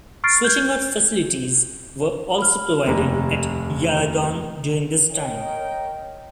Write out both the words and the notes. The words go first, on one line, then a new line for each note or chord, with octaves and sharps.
Switching out facilities were also provided at Yarragon during this time.
B5 C#6 F6 A6 C7 D7
G6 G#6
B5 F6
F1 D#2 A#3
A#4 C#5 D#5 G5